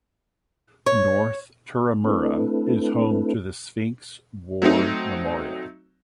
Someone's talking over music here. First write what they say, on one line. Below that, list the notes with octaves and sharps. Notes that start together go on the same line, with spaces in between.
North Turramurra is home to the sphinx war memorial.
C#5
A3 C4 D4 E4 A4 B4
F#3 A3 C4 D#4